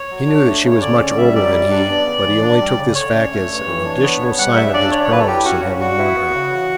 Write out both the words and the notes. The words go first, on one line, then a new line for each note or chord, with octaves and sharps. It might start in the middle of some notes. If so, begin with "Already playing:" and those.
He knew that she was much older than he, but he only took this fact as an additional sign of his prowess in having won her.
Already playing: C#5
F#3
D4
A3
C#3
C#5
D3 D5
C#4
D5
G3 E5
F#2 D5
G3
D4
B3
C#3
E3
D4
G3
C#3
D3 C#5
C#4
A3
G2
E3
D4
B3
C#3
G3 F#5
C#3 E5
D4 D5
C#3 C#5
C#5
F#3 B4
A4
E4 G4
C#4 F#4
C#3
G3 F#4
E4
B3
C#3
E3